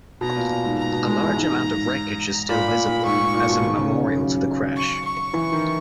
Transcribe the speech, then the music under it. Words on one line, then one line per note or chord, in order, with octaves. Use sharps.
A large amount of wreckage is still visible, as a memorial to the crash.
B2 A#5
A#2
A#2
G#2
A#5
B2
G#3
E3
G#2
A#2 B5
A#2
A#2
G#2 C#6
G#2
A#2
B2
D#3
C#3
C#3
C#3
F#3
C#6
C#6
E3
D#3